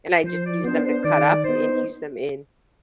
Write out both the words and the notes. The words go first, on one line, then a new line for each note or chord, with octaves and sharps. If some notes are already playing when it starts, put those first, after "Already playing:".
and I just use them to cut up, and use them in
F3 C5
D5
B3 D4 C5
C5
D#3 D5
B3 D#4 C5